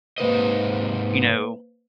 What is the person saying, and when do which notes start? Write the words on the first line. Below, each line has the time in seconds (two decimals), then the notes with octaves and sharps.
you know
0.18 G#2 C3 A#3 B4 C5 D#5